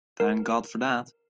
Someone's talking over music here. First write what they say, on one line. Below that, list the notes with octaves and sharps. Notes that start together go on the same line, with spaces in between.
Thank God for that!
A#4